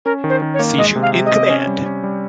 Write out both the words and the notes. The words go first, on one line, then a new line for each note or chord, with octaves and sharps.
C. Shute in command.
C#4 A#4
D#3
C5
D#3
C#5
A#3
G#3 D#5
C3
F5
C3
D#5
C3
C#4
G3
C#4
G3